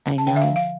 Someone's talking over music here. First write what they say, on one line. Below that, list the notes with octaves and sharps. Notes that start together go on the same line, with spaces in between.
I know.
A5
D3 G5
E5
F5
F3
F5